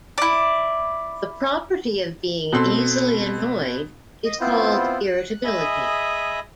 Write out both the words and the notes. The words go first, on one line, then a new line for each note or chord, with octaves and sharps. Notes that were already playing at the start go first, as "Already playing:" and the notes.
The property of being easily annoyed is called irritability.
E4 D5
B2 C4 A4 C6
D#5
B3 C4 E4 F4 C5
F#6
G#4 D#5 E5 G#5 B5 D#6